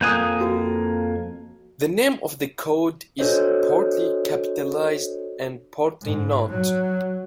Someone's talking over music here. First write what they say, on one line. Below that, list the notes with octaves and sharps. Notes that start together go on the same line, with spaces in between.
The name of the "Code" is partly capitalized and partly not.
F2 A#3 G#5 D#6 F#6 G6
F#4
D4 F#4 A4 C5 C#5 D#5
G#2
F#3